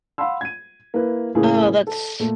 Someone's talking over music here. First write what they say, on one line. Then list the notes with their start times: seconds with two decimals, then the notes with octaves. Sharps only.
Oh, that's
0.18 F5 F#5 B5 C6 E6
0.41 G#6 D#7
0.94 A#3 E4 B4
1.35 A2 C#3 E3 A#3 E4 G#4
1.87 A4
2.19 A#2 A3